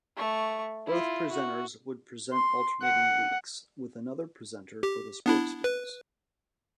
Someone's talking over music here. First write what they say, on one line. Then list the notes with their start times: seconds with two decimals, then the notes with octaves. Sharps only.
Both presenters would present alternating weeks, with another presenter for the sports news.
0.17 A3 C#6
0.86 E4 F4
1.32 F#4
2.33 C6
2.82 F#5
4.83 G4
5.26 B3 D4 E4
5.64 B4